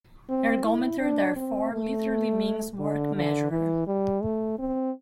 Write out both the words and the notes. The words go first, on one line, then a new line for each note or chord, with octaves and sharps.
"Ergometer", therefore, literally means "work measurer".
C4
E4
D4
C4
A3
D3
D3
E3
G3
A3
C4